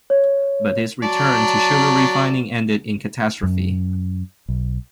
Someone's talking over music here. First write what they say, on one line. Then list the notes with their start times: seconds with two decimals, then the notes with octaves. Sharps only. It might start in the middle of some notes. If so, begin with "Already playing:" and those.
But his return to sugar-refining ended in catastrophe.
0.10 C#5
1.03 F#3 D5 A5
3.43 F#2
4.48 B1